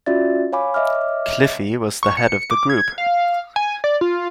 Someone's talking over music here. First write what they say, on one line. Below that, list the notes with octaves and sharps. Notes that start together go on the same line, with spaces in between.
Cliffy was the head of the group.
C#4 F4 F#4 D5 E5 A6
C#5 F5 G#5 B5 D6
C#5 D#5 E5 D6 F6
C#6
C#7
D6
G#6
F5
G#5
D5
F4